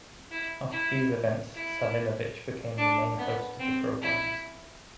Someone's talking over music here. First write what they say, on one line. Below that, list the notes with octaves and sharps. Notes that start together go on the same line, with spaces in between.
After these events, Savinovich became the main host of the programs.
E4
E4
E4
D4
B3
C4
E4